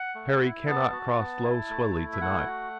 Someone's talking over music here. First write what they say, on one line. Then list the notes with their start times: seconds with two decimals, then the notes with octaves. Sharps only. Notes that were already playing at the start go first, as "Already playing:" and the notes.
Harry cannot cross Lough Swilly to-night.
Already playing: F#5
0.15 A3
0.41 E4
0.67 B3 A5
0.93 F#4
1.18 B3
1.44 E4
1.69 A3
1.95 E4
2.13 E5
2.21 A3 F#5
2.47 F#4